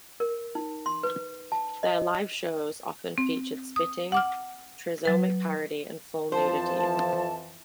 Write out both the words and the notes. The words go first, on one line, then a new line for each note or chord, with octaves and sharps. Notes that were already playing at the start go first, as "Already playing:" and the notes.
Their live shows often featured spitting, trisomic parody, and full nudity.
A#4
D#4
C6
B4
A5
D#5
C4
D#6
F#5 D6 F6
F#3 B4
F2 E3 F3 C5 A5